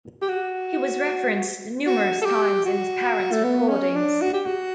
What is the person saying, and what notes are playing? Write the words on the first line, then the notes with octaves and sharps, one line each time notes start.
He was referenced numerous times in his parents' recordings.
G4
F#4
F#4
A4
G4
F#4
A3
B3
C#4
D4
F#4
G4
F#4